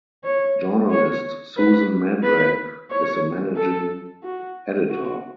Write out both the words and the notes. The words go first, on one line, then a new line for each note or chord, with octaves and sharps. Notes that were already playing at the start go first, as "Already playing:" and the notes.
Journalist Susan Madrak is the managing editor.
C#5
C#5
B4
B4
C#5
A4
F#4
F#4